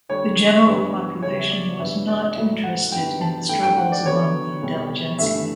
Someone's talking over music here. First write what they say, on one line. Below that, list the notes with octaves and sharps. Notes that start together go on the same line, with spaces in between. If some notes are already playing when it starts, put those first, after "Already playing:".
The general population was not interested in the struggles among the intelligentsia.
D3 G3 D4 C#5
G2 E3 B3 D4
E2 C#3 G3 C#5
E5
D5
G2 E3 B3 E5
D5
A2 F#3 A3 E4 E5
F#5
G2 F#3 B3 G5
A5
G2 E3 A3 E4 G5
G5
F#5
D5
D3 F#3 B3 C#5
E2 B2 G3
G2 E3 A3 E5